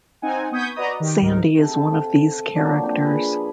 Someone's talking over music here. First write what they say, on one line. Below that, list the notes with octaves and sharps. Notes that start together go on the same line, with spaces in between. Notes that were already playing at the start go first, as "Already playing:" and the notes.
Sandy is one of these characters.
C4 D#4 F#5 G#5
B3 C#6 D#6 G6 G#6 B6
F#4 B4 D5 D#5 A#5 D#6
D#3 G4
C#2 G#2 D#4 A#4
C3 A4
F5
F3 F#3 A#3 D4
C4 D4 G5
G#4 B4